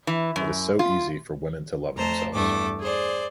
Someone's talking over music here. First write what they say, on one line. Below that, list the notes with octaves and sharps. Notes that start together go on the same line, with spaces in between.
It is so easy for women to love themselves.
E3
F#2
F4
F2 A3 C5 A5 A#5
E2 G2 A3 D6
G#4 C5 D5